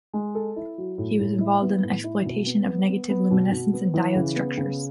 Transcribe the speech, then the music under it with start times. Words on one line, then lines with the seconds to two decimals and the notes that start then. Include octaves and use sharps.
He was involved in the exploitation of negative luminescence in diode structures.
0.14 G#3
0.35 A4
0.56 E4
0.78 F#3
0.98 A2
1.20 A2
1.41 E4
1.62 B3
1.83 A2
2.04 E4
2.25 B2
2.46 B3
2.67 B3
2.89 B3
3.10 B3
3.31 B2
3.51 B2
3.73 B3
3.94 E3
4.15 C#3
4.36 B3
4.57 C#3